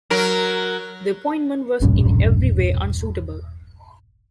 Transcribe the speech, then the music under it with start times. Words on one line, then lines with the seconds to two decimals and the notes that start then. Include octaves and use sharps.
The appointment was in every way unsuitable.
0.10 F#3 A#4
1.81 E1 A#1 G2 C#4